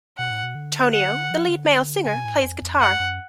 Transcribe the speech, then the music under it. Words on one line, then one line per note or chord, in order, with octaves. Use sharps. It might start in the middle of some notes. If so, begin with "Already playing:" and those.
Tonio, the lead male singer, plays guitar.
B2 F#5
A2
B2
D3
F#5
F3
D3
C#3 G#5
B2
A2
G#2
F2
F2
F#2 F#5
F#2